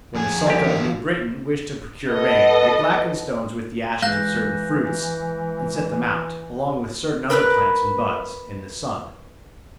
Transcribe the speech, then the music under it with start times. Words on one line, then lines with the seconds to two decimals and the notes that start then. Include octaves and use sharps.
When the Sulka of New Britain wish to procure rain they blacken stones with the ashes of certain fruits and set them out, along with certain other plants and buds, in the sun.
0.15 F2 G#4 G#5
0.47 C2 G4
0.64 D3 E3 F5
2.09 B3 A4 D#5
4.02 E3 G#3 F5 F#6 G6 A#6
7.30 A#4 B4 E6 F#6